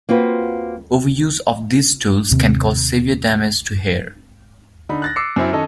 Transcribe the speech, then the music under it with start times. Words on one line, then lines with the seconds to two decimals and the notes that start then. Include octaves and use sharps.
Overuse of these tools can cause severe damage to hair.
0.09 A#3 C4 F4 F#4 B4
2.31 D#2 C3
4.89 D3 D#4 B5
5.02 F#6 A6 A#6
5.16 D6 E6 C7 C#7
5.36 F#2 C4 E4
5.52 D#3 C#4 A4 D#5